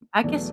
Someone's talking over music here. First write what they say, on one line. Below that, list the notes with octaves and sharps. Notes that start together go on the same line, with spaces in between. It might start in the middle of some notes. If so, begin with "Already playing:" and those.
I guess
E2 B2 F#3 A3 D5